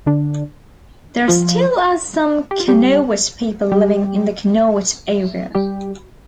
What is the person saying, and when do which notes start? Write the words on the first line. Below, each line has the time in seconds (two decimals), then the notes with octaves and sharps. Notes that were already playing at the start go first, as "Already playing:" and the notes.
There still are some Kanowit people living in the Kanowit area.
0.06 D3 D4
1.28 F3 F4
2.51 G4
2.60 F4
2.68 G3 G4
3.72 G3 G4
5.55 G3 G4